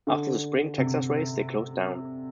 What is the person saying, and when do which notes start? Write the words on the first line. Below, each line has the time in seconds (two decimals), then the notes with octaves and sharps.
After the spring Texas race, they closed down.
0.07 D3
0.78 C3